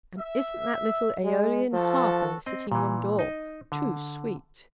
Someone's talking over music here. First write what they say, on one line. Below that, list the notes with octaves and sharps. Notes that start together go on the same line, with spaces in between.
"And isn't that little Aeolian harp on the sitting room door too sweet!"
E5
G#3
F3 F#4 A4
C4 D#5
A#2 E3
D#4 D#5
D3